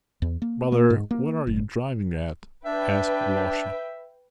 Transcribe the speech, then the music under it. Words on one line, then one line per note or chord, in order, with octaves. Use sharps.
"Brother, what are you driving at?" asked Alyosha.
E2
A#3
A#3
G#2
A#3
F#1
D4 B4 E5 G5